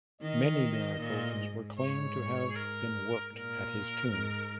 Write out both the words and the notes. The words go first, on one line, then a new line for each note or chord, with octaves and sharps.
Many miracles were claimed to have been worked at his tomb.
D#3 D#5
A#2
G#2
C#5
G#4
A#4
A#2 A#4
G#2